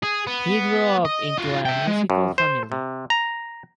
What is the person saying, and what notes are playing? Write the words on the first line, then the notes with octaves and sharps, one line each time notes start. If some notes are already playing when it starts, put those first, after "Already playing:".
He grew up into a musical family.
G#4
B3
D#5
F4 F#4
E5 G5
G#3
F#2
C5
C3
A#5